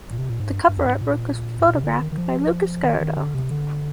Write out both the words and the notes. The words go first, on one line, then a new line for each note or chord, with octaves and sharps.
The cover artwork was photographed by Lucas Garrido.
A#2
C3
A#2
G#2
G2
G2
F2
G#2
A#2
G#2
A#2
C3
D3
D#3
D#3
F3
D#3
D#3
D3
C3
D3